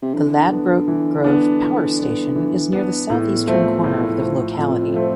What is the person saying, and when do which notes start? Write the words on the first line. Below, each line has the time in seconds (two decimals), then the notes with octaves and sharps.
The Ladbroke Grove Power Station is near the southeastern corner of the locality.
0.02 C3
0.14 D3 E3
0.51 B3 D4
0.88 E3
1.24 B3 D4
1.62 E3
1.99 B3 D4
2.36 E3
2.73 B3 D4
3.10 E2 A2
3.47 F3 A3 C4
3.84 A2
4.20 F3 A3 C4
4.57 F2 A2
4.94 F3 A3 C4